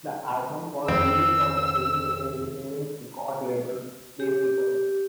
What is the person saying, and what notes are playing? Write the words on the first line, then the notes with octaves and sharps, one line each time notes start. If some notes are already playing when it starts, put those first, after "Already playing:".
The album was released on heavy metal independent record label, Neat Records.
F2 D#3 C4 E6
G4